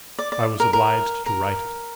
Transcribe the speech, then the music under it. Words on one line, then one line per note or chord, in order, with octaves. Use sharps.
I was obliged to write it.
D5
D5
A#4
A#4
A#4